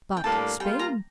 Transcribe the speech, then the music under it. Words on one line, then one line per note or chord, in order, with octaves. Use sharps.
But Spain?
G5
A2 G3 A#3 D4 A5
G3 A#3 F4 G5
A#5